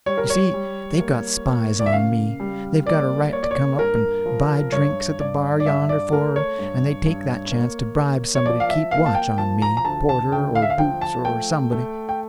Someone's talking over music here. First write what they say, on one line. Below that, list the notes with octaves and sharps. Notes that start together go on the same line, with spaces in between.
You see, they've got spies on me. They've got a right to come up and buy drinks at the bar yonder forrard, and they take that chance to bribe somebody to keep watch on me--porter or boots or somebody.
G3 C#5
A#4
C#5
G3
A#3
A#3
D5
E5
C#3 F5
G3
A#3 D5
A#3 C#5
D5
C#5
G2 A#4
F3
G2 C#5
G2 D5
D5
G2 E5
D5
A3 A#4
C#5
G2
G2
A#3
A#3
C#5
F3 D5
F5
E5
A#3 F5
A5
G5
F3 A5
A#5
A#5
D2 A5
A5
D2 G5
F5
E5
F5
F3 G5
A5
A3 G5
A3
G5